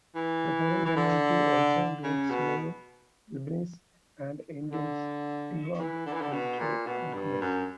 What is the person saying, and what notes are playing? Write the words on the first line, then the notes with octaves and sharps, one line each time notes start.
The foreign community also includes many Lebanese and Indians involved in trade and commerce.
E3
E3
D3
C#3
B2
D3
E3
D3
E3
D3
B2
A#2
B2
G2
F#2